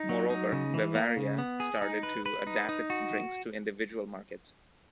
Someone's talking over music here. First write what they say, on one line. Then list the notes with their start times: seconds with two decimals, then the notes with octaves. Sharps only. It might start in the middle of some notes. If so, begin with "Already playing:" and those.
Moreover, Bavaria started to adapt its drinks to individual markets.
Already playing: D#4
0.09 F#3
0.30 D#4
0.52 C#3
0.74 E3
0.95 A#3
1.17 C#3
1.38 B3
1.60 G#4
1.82 D#4
2.03 B4
2.26 B4
2.47 D#4
2.69 D#4
2.90 F#4